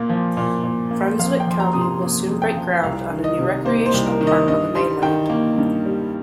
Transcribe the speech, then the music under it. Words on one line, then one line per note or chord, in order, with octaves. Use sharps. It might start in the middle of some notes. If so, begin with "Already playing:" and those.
Brunswick County will soon break ground on a new recreational park on the mainland.
Already playing: A#2 A#3
F3
A#2
A#2
A#3
F2 F5
G5
F3 C6
A#5
C3 D#6
C6
A#3
F2
G5
F3
C2 F5
D#3
D#5
C3
A#3 C5
C5
C2
A#4
D#3
D#5
G2 D#5
G3 C6
D#3 G5
A#3
G2
G3